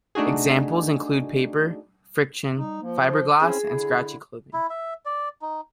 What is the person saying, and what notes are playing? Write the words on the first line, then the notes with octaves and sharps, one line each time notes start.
Examples include paper friction, fiberglass, and scratchy clothing.
A3 D4 D#4 F#4 G#4
G3 D#4
F3 A#3
C5
C4 C#4 E4 G#4
D3 E4
E4
E5
D5
D#4